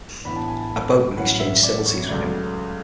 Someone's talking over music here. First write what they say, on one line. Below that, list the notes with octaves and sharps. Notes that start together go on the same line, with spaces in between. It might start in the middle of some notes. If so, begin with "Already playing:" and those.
A boatman exchanged civilities with him.
A1 A2 E3 B3 D4 B5
A5
G#5
A5
A1 A2 F#3 C#4 E4 F#5
E5
D5
C#5
C#2 C#3 F#3 A3 D5